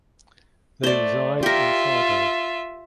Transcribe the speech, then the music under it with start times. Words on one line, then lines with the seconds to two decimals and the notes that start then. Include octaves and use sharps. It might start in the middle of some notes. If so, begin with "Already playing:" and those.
They reside in Fargo.
0.83 A3 C5 D5
1.43 F4 G4 A#4 E5